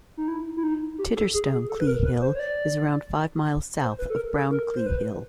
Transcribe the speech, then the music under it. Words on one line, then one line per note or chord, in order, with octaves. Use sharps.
Titterstone Clee Hill is around five miles south of Brown Clee Hill.
D#4
E4
E4
D#4
G4
A4
G#4
G#4
A4
B4
A#4
B4
C5
C#5
D5
C5
B4
A4
A#4
A4
A#4
C5
B4